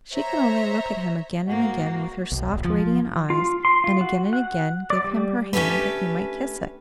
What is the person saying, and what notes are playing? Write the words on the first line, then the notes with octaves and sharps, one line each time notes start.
She could only look at him again and again with her soft, radiant eyes, and again and again give him her hand that he might kiss it.
C5 C#5 E5 A#5
G#2 A#3 F#4
B1
D#1
F3
F4
C6
F4
F#4
F#5
D5
G3
A3 C#4 D4 G4 A4 B4